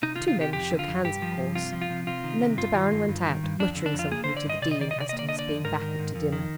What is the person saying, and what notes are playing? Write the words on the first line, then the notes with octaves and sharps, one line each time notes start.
The two men shook hands of course, and then De Baron went out, muttering something to the Dean as to his being back to dinner.
C3 D#4
F4
D#3
F4
C3 G4
F2 G4
D3
F4
F2
G2 G4
F3
G2
C3 F4
F3
F4
C3
C3 F4
D#3
C3
G2 F4
D#3
G2
G2
D#3
G2
F2 D4
D3
D4
F2
F4
A#3 G#4
C5
D3
D5
G2 D#5
C3 D5
D#5
D#3 D5
D#5
C3 D5
A#3 D#5
D5
D3 D#5
D5
F2
G#2 A#4
D#3
G#2
F2
D#3